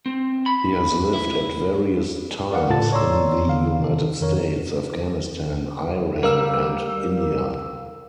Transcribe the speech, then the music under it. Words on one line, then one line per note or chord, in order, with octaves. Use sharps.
He has lived at various times in the United States, Afghanistan, Iran and India.
C4
B5
E4
A#4 D5 F5 F#5
A2 F4 A4 A5 A6
C#5 D5 A#5 C6 E6
D3 F5
C3 D#3 A4
F2 D#3 A#4 C#5
G3 A#4 F5 E6